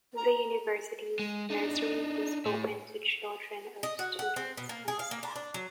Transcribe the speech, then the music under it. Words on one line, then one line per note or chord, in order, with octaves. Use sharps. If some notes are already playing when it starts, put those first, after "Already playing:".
The university's nursery is open to children of students and staff.
A#5
G#3
D4 D#4
A2
D#5
F#4
F#5
C4
B2
A#3
G#4
F5
A#3
D4
D4
F#3